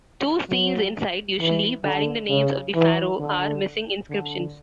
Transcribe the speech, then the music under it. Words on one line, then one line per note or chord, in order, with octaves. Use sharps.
Two Steles inside, usually bearing the names of the pharaoh, are missing inscriptions.
F#3
E3
D3
C#3
E3
D3
D3